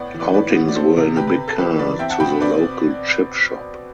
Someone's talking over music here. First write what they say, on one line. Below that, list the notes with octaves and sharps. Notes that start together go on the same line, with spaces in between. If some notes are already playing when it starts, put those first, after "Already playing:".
Outings were in a big car to the local chip shop.
Already playing: A2 B3 B4 D5
E3
B4 D5
A2 B4 D5
B3
D5
C4 A4 C5
C3
C3 G4 B4
G4 B4
C3
A4
E3 G4 B4
E3 B4 D5
C4 E5 G5
F#5 A5
B2 G5 B5
C4 B4 D5